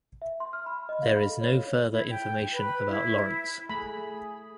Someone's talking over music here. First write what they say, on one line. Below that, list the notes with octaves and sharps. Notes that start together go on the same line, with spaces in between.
There is no further information about Lawrence.
E5
C6
F6
B5
D#5
F5
B5
A4
C#5
E4
G5
B4
E4
A3 G#4 B5